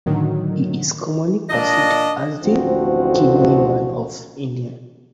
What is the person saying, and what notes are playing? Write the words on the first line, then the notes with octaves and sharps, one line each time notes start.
He is commonly perceived as the "Kidney Man of India".
A2 D3 D#3 F#3
A#2 D4 D#5
A1 D2 F3 C4 F#4